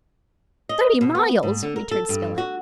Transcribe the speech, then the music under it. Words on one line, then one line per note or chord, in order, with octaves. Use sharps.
"Thirty miles!" returned Spilett.
D#5
B2
B3
G#2
D3
A#4
A4
G2
F#4